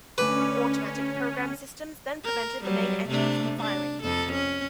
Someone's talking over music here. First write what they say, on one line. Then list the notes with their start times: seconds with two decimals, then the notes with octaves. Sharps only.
Automatic programmed systems then prevented the main engine from firing.
0.18 D2 C#4 B4 G#5 D6
2.25 A#4
2.63 F#3 G3
3.09 C3 A3 D4
3.59 D4
4.03 F2 A4
4.33 C#4